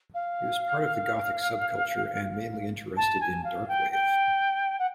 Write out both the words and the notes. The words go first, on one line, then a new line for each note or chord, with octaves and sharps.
He was part of the gothic subculture and mainly interested in Dark Wave.
F5
A5
G#5
F5
G5
G5
F#5